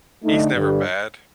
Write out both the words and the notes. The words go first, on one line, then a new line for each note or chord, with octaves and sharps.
He's never bad,
D3 A3 D#4
G2 D3 G3